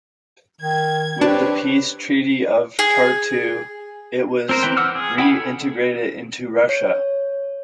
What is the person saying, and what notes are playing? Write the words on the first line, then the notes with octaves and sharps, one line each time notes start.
With the Peace Treaty of Tartu it was re-integrated into Russia.
D#3 G#6
C4 D4 G4 B4 C#5
G#4
C4 A#4 C5
E3 C4 B4 G5
F#5 D6 E6 F6
G#4
E4 F#5 G5 B5
A4
C#5